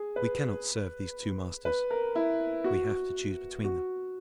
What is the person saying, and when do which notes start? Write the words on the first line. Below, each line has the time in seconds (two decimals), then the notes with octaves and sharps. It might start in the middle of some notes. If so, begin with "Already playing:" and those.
We cannot serve these two masters; we have to choose between them.
Already playing: G#4
0.16 B4
1.65 B4
1.90 A#4
2.15 E4
2.64 F#4
3.64 F#4